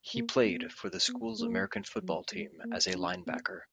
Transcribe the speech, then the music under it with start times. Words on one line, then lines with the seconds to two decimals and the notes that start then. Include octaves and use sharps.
He played for the school's American football team as a linebacker.
0.14 A#3
0.45 B3
1.08 B3
1.39 A#3
2.02 F#3
2.33 G#3
2.64 A#3
2.95 C#4
3.26 B3